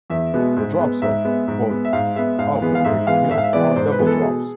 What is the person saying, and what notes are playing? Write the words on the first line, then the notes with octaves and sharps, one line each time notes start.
The drops off both of the lift hills are double-drops.
E2 E5
B2 G#3 B3
G#2
G#3 B3
G#2 E5
G#3 B3
G#2
G#3 B3
E5
G#2 F5
G#3 B3 E5
G#2 F5
E3 G#3 B3
F5
G#2 E5
E3 G#3 B3 F5
G#2 E5
F5
E5
E3 G#3 B3 D5
G#2 C5
B4
E3 G#3 B3
A4
B2 G#4